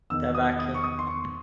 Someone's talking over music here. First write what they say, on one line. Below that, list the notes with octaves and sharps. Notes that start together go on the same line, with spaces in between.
De Vecchi.
E2 D#3 E6
D#6
D#6
C#6
D#6
C6
C#6